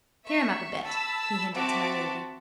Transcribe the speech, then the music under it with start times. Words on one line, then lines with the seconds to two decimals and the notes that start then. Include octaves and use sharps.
"Cheer 'em up a bit!" he hinted to my Lady.
0.25 E5 C#6
0.83 A5 B5 E6
1.53 C4 F#4 E5 A5 D6